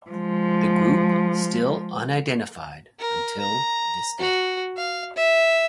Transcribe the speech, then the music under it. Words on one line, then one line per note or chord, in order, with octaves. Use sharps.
The group still unidentified until this day.
F3 G#3
A#4
A#5
F#4
F5
E5